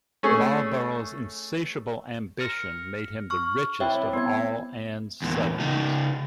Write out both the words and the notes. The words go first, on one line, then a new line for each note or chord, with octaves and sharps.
Marlborough's insatiable ambition made him the richest of all Anne's subjects.
A3 C#4 G#4
F6 A#6 C#7
C#6 F6
C4 E4 C#5 E5 G5
B3 G#6
E2 A#2
C#3 D#4